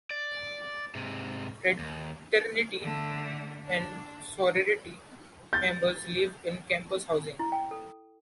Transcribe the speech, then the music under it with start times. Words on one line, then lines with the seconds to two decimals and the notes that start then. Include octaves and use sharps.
Fraternity and sorority members live in campus housing.
0.11 D5
0.95 G#2 C3
1.79 D#2
2.82 D3 A3
3.64 D4
5.53 G6 A6
7.39 E4
7.52 G5
7.71 A4